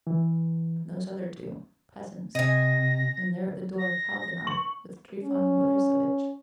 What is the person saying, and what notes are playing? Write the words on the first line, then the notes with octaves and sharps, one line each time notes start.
And those other two ... peasants.... And there at the door Kalganov with Trifon Borissovitch....
E3
C3 D#5 G#5 A#6
A#6
C#6 F#7
C#4